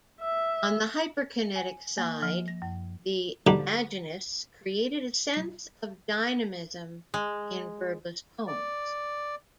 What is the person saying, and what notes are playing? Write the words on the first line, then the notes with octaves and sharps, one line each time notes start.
On the hyperkinetic side the Imaginists created a sense of dynamism in verbless poems.
E5
G#5
A#3
F3
A#6
F#2
D3 G3 D#4 G4
G#3
D5